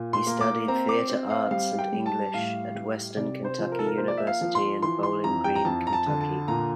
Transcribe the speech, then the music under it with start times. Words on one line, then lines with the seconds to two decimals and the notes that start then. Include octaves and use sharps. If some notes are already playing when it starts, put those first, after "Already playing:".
He studied Theatre Arts and English at Western Kentucky University in Bowling Green, Kentucky.
Already playing: A#2
0.13 C6
0.27 A#3
0.41 D6
0.68 C4 A#5
0.89 D6
1.10 C4
1.30 F5
1.51 G3 F5
1.79 G5
1.92 G3
2.06 A5
2.34 A2 F5
2.75 G3
3.17 C3 D5
3.44 C5
3.58 F3
3.72 A#4
3.79 A4
3.86 A#4
3.98 A#3 C5
4.08 D5
4.18 E5
4.27 F5
4.41 F3
4.55 C6
4.82 E3 C6
5.03 C6
5.24 F2 A#5
5.44 G5
5.56 A#5
5.65 F2 A5
5.87 A#5
5.93 A5
6.06 D3
6.21 A5
6.48 A#2 A#5